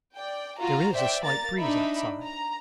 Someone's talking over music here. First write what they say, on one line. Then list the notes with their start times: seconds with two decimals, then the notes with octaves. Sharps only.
There is a slight breeze outside.
0.15 D5 G5
0.59 F4 F#4 A#5
0.93 C5 D5 E5 G5
1.24 A#3 A#5 A6
1.59 D4 D#4 E5 B5
2.22 A#5